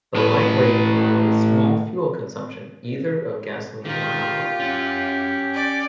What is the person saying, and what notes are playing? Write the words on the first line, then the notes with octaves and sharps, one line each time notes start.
The light weight allowed a small fuel consumption either of gasoline or alcohol.
A2 B4
D#3 F4 G4 A#4
C#4 F#5
D5